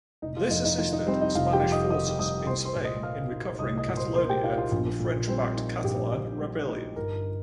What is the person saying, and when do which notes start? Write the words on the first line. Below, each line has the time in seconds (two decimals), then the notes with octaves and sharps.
This assisted Spanish forces in Spain in recovering Catalonia from the French-backed Catalan rebellion.
0.22 F1 D#4 D#5
0.37 F4 F5
0.50 F2 D#4 D#5
0.65 D#4 D#5
0.78 D#3 F4 F5
0.93 D#4 D#5
1.07 G3 C4 C5
1.21 D#4 D#5
1.35 F1 F4 F5
1.53 G4 G5
1.63 F2
1.72 D#5 D#6
1.90 D#3 D#5 D#6
2.19 G3 D#5 D#6
2.47 C2 C5 C6
2.65 C5 C6
2.75 A#2
2.84 D#5 D#6
3.03 A#3 F5 F6
3.31 D#4
3.59 C2 D#5 D#6
3.78 D#5 D#6
3.88 A#2
3.97 C5 C6
4.15 A#3 C5 C6
4.29 G4 G5
4.43 D#4 F4 F5
4.58 F4 F5
4.72 A#1
5.00 A#2
5.28 G3 C4 C5
5.56 D#4
5.84 A#1 G4
6.12 A#2
6.40 G3
6.68 D#4
6.96 G1 A#4